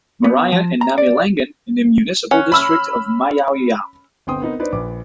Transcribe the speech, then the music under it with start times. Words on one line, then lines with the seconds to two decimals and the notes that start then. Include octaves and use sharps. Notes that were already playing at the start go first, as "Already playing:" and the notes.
Maria, and Namillangan in the municipal district of Mayaoyao.
0.24 B3
0.52 F3
0.81 A#5
0.98 D5
2.31 C#4 F#5
2.52 B5 E6 F6
4.27 G1 B3 C4 G5 C6 D#6
4.42 B3 C4 D#4 A#4 B4
4.59 D4 D#4 B4 C5 D5
4.72 A#1 B4 D6